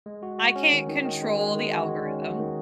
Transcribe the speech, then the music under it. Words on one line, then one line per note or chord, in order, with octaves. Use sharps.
I can't control the algorithm,
G#3
F#4
F#4
C#4
D#3
D#3
D#3
G#3
G#3
D#3
F#4
G#3
C#4
F#4
D#3